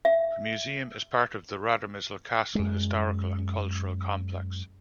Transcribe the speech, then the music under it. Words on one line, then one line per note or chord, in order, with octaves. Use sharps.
The Museum is the part of the Radomysl Castle historical and cultural complex.
E5
F#2 G#3